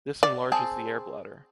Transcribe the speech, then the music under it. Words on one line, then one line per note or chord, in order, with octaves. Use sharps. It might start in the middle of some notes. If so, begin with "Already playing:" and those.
This enlarges the air bladder.
D5
C4 G#4 A5